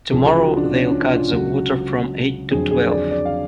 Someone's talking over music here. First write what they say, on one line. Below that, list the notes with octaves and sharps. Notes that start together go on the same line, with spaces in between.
Tomorrow they’ll cut the water from eight to twelve.
C#2 C#3 F3 G#4
G#4
F4
F#4
D4
C#4
D4
D4
F4
C#2 C#3 F#3 F#4
F2 D3 F#3 G#4
G#4
D5
D5
F5